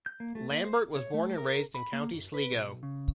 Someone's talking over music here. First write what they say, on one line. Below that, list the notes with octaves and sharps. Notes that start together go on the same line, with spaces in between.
Lambert was born and raised in County Sligo.
G6
A#3
A3
A#3
C5
C#5
A3
A#4
B5
A#3
F#2
B4
B1
C#3